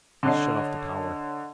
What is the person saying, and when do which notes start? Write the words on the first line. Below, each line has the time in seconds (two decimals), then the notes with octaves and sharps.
He shut off the power.
0.23 D3 C#5 D#5 C7